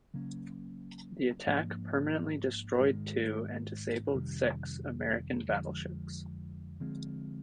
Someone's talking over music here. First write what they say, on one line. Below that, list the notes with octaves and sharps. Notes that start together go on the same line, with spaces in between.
The attack permanently destroyed two and disabled six American battleships.
C#3 F#3 A#3 C#4
G#2 F3 A#3 D4
G#2 D#3 G#3
F2 C3 D#3 G3
F2 D3 F3 G#3
D3 F3 G#3 C4